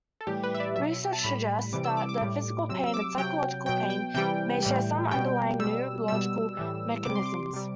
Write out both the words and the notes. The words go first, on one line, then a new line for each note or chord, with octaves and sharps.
Research suggests that physical pain and psychological pain may share some underlying neurological mechanisms.
A4
A2 E3 G3 G4
B4
E5
D5
B2 F#3 E5
A5
A2 G3 B5
C3 E3 G3 D6
E6
D6
D6
A2 G3
C3 F#3 E6
E6
D6
C3 F#3 G5
B2 F#3 G5
G5
C3 E3 G3 G5
A2 E3 G3
B2 G3 G5
B2 G3 E6
B2 G3 E6
A2 E3 G3
C3 G3 D6
C6
D6
C3 G3